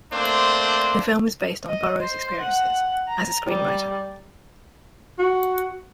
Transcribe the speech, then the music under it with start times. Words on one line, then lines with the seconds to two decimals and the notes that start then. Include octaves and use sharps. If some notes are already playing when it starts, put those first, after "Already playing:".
The film is based on Burrows' experiences as a screen writer.
0.13 A3 A#3 C4 D4 C5
1.69 D#5
2.01 C5
2.41 F#5
3.08 A#5
3.46 G3
5.19 F#4